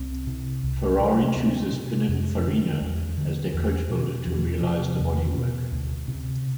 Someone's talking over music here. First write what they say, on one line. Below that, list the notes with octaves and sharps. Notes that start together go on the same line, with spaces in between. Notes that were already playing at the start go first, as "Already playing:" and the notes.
Ferrari chose Pinin Farina as their coachbuilder to realise the bodywork.
Already playing: C2 C4
C3
C2
C3
G3
A3
D2 B3
C3
F2
D3
E2 G3
D3
E2
B2
E2 F3
C3
E2
B2
D2 D3
C3